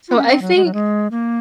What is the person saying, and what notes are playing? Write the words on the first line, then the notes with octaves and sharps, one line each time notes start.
so I think
F4
C#4
C4
F#3
G#3
F#3
G#3
A#3